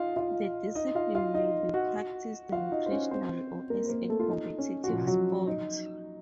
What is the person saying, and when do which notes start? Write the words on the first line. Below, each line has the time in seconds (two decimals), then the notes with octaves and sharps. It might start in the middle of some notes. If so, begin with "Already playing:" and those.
The discipline may be practiced recreationally or as a competitive sport.
Already playing: D#4 F4 D#5 F5
0.16 F4 F5
0.75 D#4 D#5
0.95 F4 F5
1.15 F4 F5
1.34 D#4 D#5
1.74 F#4 F#5
2.52 F4 F5
2.72 D#4 D#5
2.86 C5
2.91 C#4 C#5
3.11 C4 C5
3.70 A#3 A#4
3.85 C5
3.89 A#3 A#4
4.09 A3 A4
4.20 F4
4.29 D#4
4.58 C#4
4.84 F#4
4.88 F3 F4
5.07 F#3 F#4
5.47 D#4